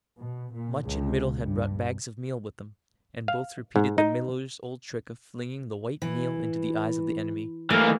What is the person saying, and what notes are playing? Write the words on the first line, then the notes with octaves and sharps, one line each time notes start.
Much and Middle had brought bags of meal with them, and both repeated the miller's old trick of flinging the white meal into the eyes of the enemy.
B2
A#2
C#2
G2
F5
G#2
D#4
E3
E3 A3 A#3